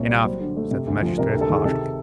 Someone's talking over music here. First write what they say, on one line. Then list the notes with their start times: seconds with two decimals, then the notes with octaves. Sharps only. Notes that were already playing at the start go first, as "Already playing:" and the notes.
"Enough," said the magistrate, harshly.
Already playing: C2 A#2 C#5
0.09 G3
0.25 F#3 C5
0.40 D3
0.57 A3
0.71 C3
0.87 D2
1.02 F3
1.18 C3 A#4
1.29 A4
1.33 D2
1.41 A4
1.50 D#3 G#4
1.65 C3 A4